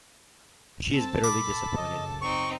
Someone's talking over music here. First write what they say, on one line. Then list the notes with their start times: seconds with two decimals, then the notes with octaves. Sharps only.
She is bitterly disappointed.
0.93 C4 A4 A5
1.24 A#2 B5 D6
1.77 F#2 C#3 D#5
2.22 C4 D#4 C#6